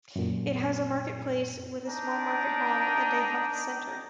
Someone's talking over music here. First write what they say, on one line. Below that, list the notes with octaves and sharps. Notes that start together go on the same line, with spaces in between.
It has a market place with a small market hall and a health centre.
F#2 A#2
D4 D#4 G5 A#5